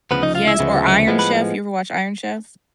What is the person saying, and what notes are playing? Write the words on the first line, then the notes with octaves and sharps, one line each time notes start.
Yes, or Iron Chef, you ever watched Iron Chef?
D2 C#3 F3 B3 B4
D#4 D#5
F4 F5
E4 E5
D2 C#3 F3 G#3 B3
A2 F3 G#3 B3
B4